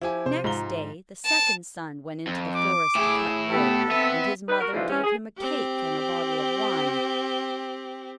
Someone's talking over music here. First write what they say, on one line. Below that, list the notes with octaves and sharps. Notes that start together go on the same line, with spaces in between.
Next day the second son went into the forest to cut wood, and his mother gave him a cake and a bottle of wine.
F3 E4 G4 G#5
C3 C5
G#2 G#3 F4 A#5 G7
A5
F2
D6
A2 E4 G#4
B3 G4 A4
B3 C4 B4 E5
D#4 B4
F#4 A#4
G#2 B2 D3 E3 F3
E3 C4 C#4
G#4
C4 G4